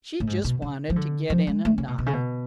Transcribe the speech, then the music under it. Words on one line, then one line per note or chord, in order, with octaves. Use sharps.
She just wanted to get in a knock.
A2
G#2
B2
C#3
F3
D3
F3
G#3
A3
C#3
B2
B2
C#3
B2